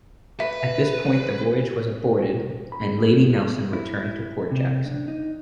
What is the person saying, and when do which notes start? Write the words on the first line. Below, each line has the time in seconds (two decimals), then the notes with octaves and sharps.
At this point the voyage was aborted and "Lady Nelson" returned to Port Jackson.
0.40 B4 E5
2.72 B5
2.85 G#4
3.73 E4
3.99 E4
4.51 C3
4.86 D4
5.08 D#4